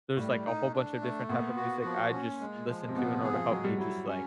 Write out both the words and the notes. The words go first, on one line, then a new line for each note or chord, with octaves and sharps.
There's, like, a whole bunch of different type of music I just listen to in order to help me just, like
A2 G3
D#4
D4
A3
A#2 B3
F#4
F3
C#4
G#3
F3
C3
B2 B3
C3
G#4
F3
F#3 G#3
G3
F#3 E4
C#4